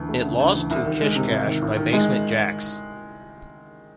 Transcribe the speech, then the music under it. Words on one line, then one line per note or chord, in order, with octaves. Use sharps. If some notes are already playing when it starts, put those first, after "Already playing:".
It lost to "Kish Kash" by Basement Jaxx.
Already playing: D2 E3
A3
C#3
D2
E3
C2
D#3
G#3
C3
C2
D#3
A1
D#3
G#3